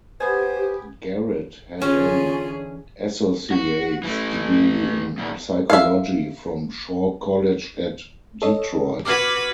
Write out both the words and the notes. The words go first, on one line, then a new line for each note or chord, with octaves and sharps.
Garrett had an associate's degree in psychology from Shaw College at Detroit.
B3 G4 B4 C5 G#5
D3 E3 C#4 F4 G#4
F#4
E3 A3
E2 A#2
E5 F5
A4 C#5 D#5
F#4 B4 D6 F6 G#6